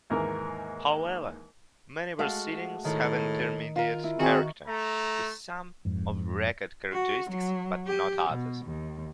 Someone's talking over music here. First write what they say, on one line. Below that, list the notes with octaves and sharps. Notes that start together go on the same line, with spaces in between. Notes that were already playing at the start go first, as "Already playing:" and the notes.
However, many proceedings have intermediate character, with some "of record" characteristics but not others.
D#2 G#2 E3 A#3 A#4
G#3 A3 F#4 F5 A5
A2 D#3
F4 A#4
E4
D#3 C4 F#4 G#4 C#6
A3 A#5
F2 G#2
F#4
F#3
G4
B2
D#2